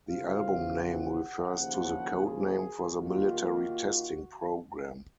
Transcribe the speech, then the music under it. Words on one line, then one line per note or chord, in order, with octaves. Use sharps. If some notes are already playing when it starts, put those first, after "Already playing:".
The album name refers to the code name for the military testing program.
C#3 F#3 C4 F4 F5
F#5
D#2 C#3 F3
G#4
D#2 D#3 A#3 F4 F#4